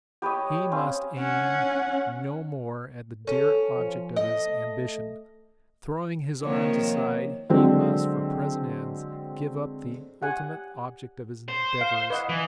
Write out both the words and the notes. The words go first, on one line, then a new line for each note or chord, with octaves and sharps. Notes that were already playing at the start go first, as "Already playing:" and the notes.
He must aim no more at the dear object of his ambition; throwing his arms aside, he must for present ends give up the ultimate object of his endeavours.
G4 B4 C#5 D#5
C4 C#4 F5
C#4 F#5
C#4 A4
F3
A3 D#5
C3 D#3 F3 A#3 C#5
D3 F#3 G#3 C4
G4 F#5 G#5
C5
F5
B4 D#5 F#5
E3